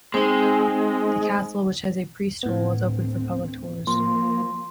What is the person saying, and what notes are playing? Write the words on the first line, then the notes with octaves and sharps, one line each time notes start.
The castle, which has a priest hole, is open for public tours.
G#3 C4 D#4 C5
D2 A2 B3 C4
F3 A#3 C6